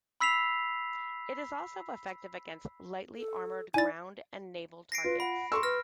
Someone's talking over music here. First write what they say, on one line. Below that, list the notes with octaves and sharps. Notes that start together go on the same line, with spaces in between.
It is also effective against lightly armored ground and naval targets.
B5 E6 B6 C7 F7
A4
D#4 E4 D5 G#5 A6
A#6 C7 D7
F4 B4
F#5 B5
A4 C6 C#6 E6
B4 F6 A#6